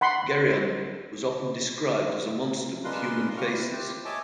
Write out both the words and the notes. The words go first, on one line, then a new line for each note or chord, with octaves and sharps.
Geryon was often described as a monster with human faces.
F#5 B5 C6
G#3 D4 F4 A#4 B4 C6
F4 G4 C#6 F6
E4 B4
G4 C5
C#5 D#5 E5 G#5 A5 D6